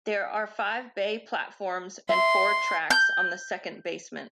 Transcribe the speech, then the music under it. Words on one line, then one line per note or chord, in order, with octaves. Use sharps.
There are five bay platforms and four tracks on the second basement.
E5 C6
G6